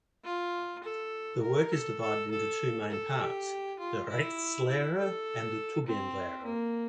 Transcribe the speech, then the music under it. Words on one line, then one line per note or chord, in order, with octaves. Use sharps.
The work is divided into two main parts, the "Rechtslehre" and the "Tugendlehre".
F4
A4
A#4
A4
A4
A4
A4
G4
F4
E4
E4
A4
C4
A#3